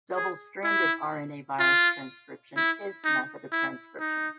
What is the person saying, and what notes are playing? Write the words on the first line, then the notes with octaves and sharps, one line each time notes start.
Double-stranded rna virus transcription is the method of transcription.
G#4
E4
F4
E4
D#4
E4
D#4